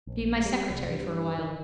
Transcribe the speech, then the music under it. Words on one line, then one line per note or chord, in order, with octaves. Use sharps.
Be my secretary for a while.'
A#1
G3
C2
G2
D#3